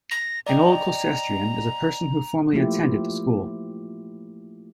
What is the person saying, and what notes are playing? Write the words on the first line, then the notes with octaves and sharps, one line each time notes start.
An Old Colcestrian is a person who formerly attended the school.
A#6
D5 D#5 G5 A#5
F3 A3 A#3 E4 F4 G4